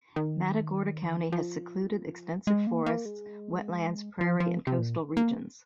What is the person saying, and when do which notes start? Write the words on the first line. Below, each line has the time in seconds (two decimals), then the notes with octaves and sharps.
Matagorda County has secluded, extensive forests, wetlands, prairie and coastal regions.
0.16 D#3
1.32 F3
2.47 G#3
2.67 A#3
2.86 A#3
3.06 G#3
4.21 F3
4.40 F3
4.67 C3
4.79 A#2
5.17 A#3